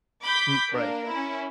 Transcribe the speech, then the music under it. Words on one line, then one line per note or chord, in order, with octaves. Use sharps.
Hmm, right.
B5 D6 G6 B6
A#3 D4 A#4
C#4 E4